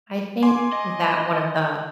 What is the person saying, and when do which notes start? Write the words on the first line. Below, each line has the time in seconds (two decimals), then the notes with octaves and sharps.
I think that one of the
0.43 G#5 C6 D6
0.72 D#5